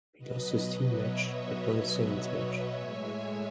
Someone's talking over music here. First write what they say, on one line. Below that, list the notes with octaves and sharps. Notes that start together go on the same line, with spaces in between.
He lost his team match, but won his singles match.
B2 F#3 B4 D#5
B4 D#5
C#5 E5
A2 G#3 E5 G#5